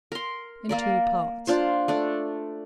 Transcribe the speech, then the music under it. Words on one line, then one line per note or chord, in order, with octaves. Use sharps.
In Two Parts.
A#4 C6
A#3 A#4 D5
D4 F4 C5
A3 D4